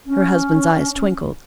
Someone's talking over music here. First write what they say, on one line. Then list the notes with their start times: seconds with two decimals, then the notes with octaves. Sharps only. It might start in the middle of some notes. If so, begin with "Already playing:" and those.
Her husband's eyes twinkled.
0.05 C#4